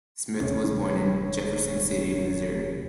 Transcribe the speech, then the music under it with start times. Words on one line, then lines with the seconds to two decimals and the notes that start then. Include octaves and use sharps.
Smith was born in Jefferson City, Missouri.
0.41 D#1 C3 C#4 C#5